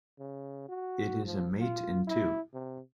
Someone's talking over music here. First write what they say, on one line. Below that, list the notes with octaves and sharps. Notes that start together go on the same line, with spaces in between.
It is a mate in two.
C#3
F#4
F3
F4
E4
C3